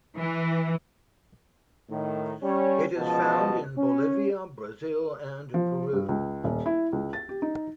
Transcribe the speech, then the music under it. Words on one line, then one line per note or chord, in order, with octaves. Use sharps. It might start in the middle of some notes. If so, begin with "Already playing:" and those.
It is found in Bolivia, Brazil and Peru.
E3
A2 D#3
G3 C#4 C#5
C#2 B2 F3 D#5 A5
C#4
F3
G2
C#2
D#1
E4
C#2
A6
G4
D#4